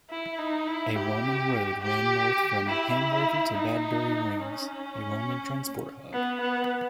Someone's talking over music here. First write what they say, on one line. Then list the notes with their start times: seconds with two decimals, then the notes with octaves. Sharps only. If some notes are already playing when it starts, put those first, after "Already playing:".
A Roman Road ran north from Hamworthy to Badbury Rings, a Roman transport hub.
0.10 E4
0.39 D#4
0.68 E4
0.96 G4
1.82 G4
2.69 E4
3.55 D#4
4.41 C#4
6.13 B3
6.41 B3